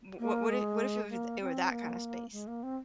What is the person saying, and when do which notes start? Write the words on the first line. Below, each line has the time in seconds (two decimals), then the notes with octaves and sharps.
wha wha what if what if it were it were that kind of space?
0.19 A#3
0.49 G#3
1.10 A#3
1.41 C4
1.71 A#3
2.32 G#3
2.47 A#3
2.63 C4